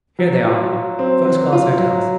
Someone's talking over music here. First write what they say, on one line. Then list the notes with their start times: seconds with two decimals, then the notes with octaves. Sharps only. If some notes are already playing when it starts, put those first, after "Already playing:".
Here they are--first-class hotels.
0.19 F#3
0.45 F4
0.72 F#3
0.99 C4
1.25 F#3
1.52 F4
1.78 F#3